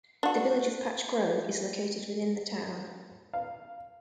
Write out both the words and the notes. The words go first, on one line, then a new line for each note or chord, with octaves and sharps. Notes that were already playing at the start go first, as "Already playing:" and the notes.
The Village of Patch Grove is located within the town.
D4 F#4
F5